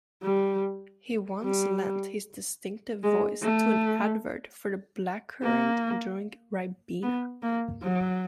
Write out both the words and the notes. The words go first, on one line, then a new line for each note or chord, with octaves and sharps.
He once lent his distinctive voice to an advert for the blackcurrant drink Ribena.
G3
G3
G#3
A3
A#3
B3
A#3
F#3